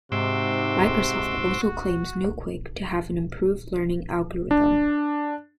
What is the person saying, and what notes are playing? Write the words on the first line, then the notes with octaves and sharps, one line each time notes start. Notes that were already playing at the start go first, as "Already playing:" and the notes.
Microsoft also claims New-Quick to have an improved learning algorithm.
G#2 C3 F#4 C6 D6 E6
D4